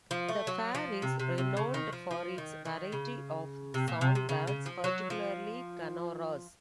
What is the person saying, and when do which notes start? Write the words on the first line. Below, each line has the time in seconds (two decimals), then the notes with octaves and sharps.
The fair is renowned for its variety of songbirds, particularly "canoras".
0.11 F3
0.29 A3
0.47 F#3
0.75 F3
1.02 C3
1.19 C3
1.38 C3
1.57 C#3
1.74 D#3
1.93 F3
2.11 F3
2.38 D#3
2.65 D#3
2.92 C#3
3.74 C3
3.88 A#2
4.01 C3
4.15 C3
4.29 C#3
4.47 C#3
4.66 F3
4.84 F#3
5.10 F3